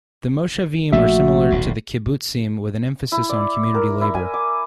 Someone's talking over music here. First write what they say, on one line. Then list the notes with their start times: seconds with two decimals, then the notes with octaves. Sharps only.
The moshavim are similar to kibbutzim with an emphasis on community labour.
0.93 A#1 F3 A3 F#4 E5
1.50 D#1 B1 A2
3.12 E4
3.29 D5
3.74 A#4
4.01 E4
4.15 G#5
4.34 D6